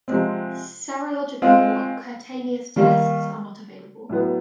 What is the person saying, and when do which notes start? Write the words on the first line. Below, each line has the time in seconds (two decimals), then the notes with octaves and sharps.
Serological or cutaneous tests are not available.
0.08 C3 F3 G#3 C4
1.42 G#3 C4 F4
2.76 D#3 G3 A#3
4.09 A2 F#3 B3